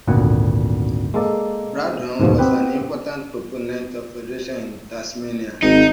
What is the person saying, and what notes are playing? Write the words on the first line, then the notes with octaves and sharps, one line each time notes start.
Braddon was an important proponent of federation in Tasmania.
G#1 D2 A#2 B3 F#5
G#3 A#3 A4 D5
D#2 G#2 B2 F3
B3 C4 G4 B4
G#1 D#4